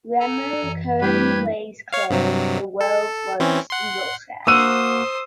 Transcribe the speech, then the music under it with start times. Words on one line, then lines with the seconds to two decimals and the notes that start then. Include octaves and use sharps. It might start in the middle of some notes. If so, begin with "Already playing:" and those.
Remer currently lays claim to the World's Largest Eagle statue.
0.20 A4 G#5 A#5
0.63 F#2 E3
1.02 G3 A3 D4 E4 G4 B4 G#6
1.93 C#5 F5
2.10 G2 C3 F#3
2.81 A4
3.40 E3 C4 C#4
3.70 F#5 C6
4.47 A#3 F#4 C5 D#6 E6 D#7